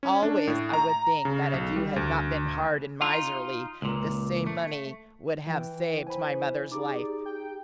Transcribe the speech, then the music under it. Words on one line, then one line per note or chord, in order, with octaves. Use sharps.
Always I would think that if you had not been hard and miserly this same money would have saved my mother's life.
C#4
D4
A2
A#5
C#3
B1
G3
D2
D#4 F4
C#2 A#2
A3
E3 B4 G5
C5 G#5 B5
D#4 G4 G#4 D5
G5